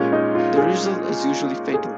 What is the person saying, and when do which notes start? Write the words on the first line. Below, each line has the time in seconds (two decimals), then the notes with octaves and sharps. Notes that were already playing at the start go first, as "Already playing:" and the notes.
The result is usually fatal.
Already playing: A#2 G#3 C#4
0.13 D#4
0.35 F4
0.58 G#4
1.74 G#4